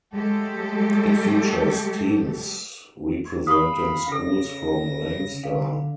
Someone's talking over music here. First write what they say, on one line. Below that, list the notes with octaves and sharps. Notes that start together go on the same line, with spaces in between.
It features teams representing schools from Leinster.
F#3 G#3 A3 G4 A4
F5 B5 C#6 D#6
C#3 G4 A4 A#6
D3 F5